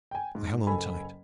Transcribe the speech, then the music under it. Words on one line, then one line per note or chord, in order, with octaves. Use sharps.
I hung on tight.
G5 G#5
G#2
F#1 A4 G#5 B5